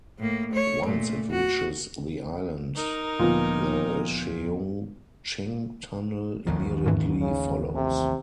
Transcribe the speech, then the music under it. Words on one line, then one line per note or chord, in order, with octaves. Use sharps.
Once it reaches the island, the Cheung Ching Tunnel immediately follows.
A2 A#3
A3 C#5
A#2 A3
F#4
D#4 A#4
D2 A#2 F3 B3
A1 D#2 D#3 F3
F2 G#2 E3
C#3
C3